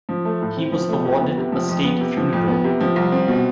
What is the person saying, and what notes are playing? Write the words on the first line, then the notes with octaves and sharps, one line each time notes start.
He was awarded a state funeral.
F3
A3
A2
C4
F3
A3
F2
B3
C3
F3
F2
B3
C3
F3
F2
B3
C3
F3
C2
C4
B2